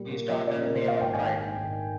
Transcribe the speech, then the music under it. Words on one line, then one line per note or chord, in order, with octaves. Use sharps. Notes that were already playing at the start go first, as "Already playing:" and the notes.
He started me out right.
Already playing: A#2 G3
A#3
F3 D#5
A#2 D5
A#4
A#2
C5
A#3 F5
G#1 G5
G#5
D#3
G5
G#2
G#1